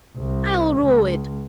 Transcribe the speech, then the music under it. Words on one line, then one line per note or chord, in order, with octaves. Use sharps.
"I'll rule it!"
C2
C#2